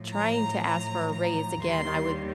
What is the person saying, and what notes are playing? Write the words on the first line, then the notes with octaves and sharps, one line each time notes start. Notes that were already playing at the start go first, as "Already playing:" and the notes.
trying to ask for a raise, again, I would
Already playing: A2 F3
A#5
A#5
A#5
D#2 D#3 G3 C6